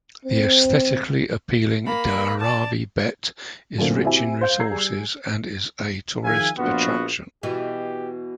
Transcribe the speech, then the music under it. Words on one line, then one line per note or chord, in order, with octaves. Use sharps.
The aesthetically appealing Dharavi Bhet is rich in resources and is a tourist attraction.
C4
A#3 B5
D5 A5
F#2 A#2 D3 A3 A#3 C4
C4 E4 F#4 G4 E5 G#5
C5 F5 G6
A#5 E6 G#6 C7
G3 G#4
D#3 F3 G#4 E5 F5 G#5
A#1 B3 F4 F#4
B2 E3 G4